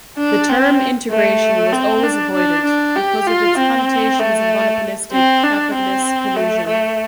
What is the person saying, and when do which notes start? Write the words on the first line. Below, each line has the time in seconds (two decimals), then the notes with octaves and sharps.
The term "integration" was always avoided because of its connotations of monopolistic capitalist collusion.
0.18 D4
0.49 C4
1.11 A3
1.72 C4
2.04 D4
2.35 D4
2.65 D4
2.96 G4
3.27 F4
3.58 C4
4.20 A3
5.13 C4
5.43 D4
5.74 C4
6.37 A3
6.67 A3